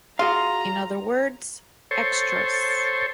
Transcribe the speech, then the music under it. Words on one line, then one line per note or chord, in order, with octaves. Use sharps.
In other words, extras.
F4 F#4 G#4 F5 A#5
A4 C5 C#5